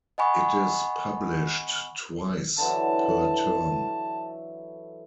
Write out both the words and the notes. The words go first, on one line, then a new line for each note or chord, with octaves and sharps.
It is published twice per term.
D#5 F#5 G#5 B5 C#6
D3 E3 F#3 A5